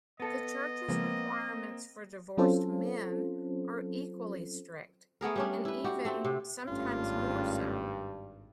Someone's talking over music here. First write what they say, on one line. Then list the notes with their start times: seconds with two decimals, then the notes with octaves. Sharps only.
The church's requirements for divorced men are equally strict, and even sometimes more so.
0.20 B3 A4 D#5
0.89 C#3 F3 G#3 A#3 C4
2.38 F#3 C4 C#4 F4 A4 C5
5.21 A3 B3 G#4 A#4
5.36 G3 C#4 D4
5.65 E4 B4
5.84 F#4 G4
6.05 A3 C4
6.25 C3
6.68 G#1 G2 A3 C#4 F4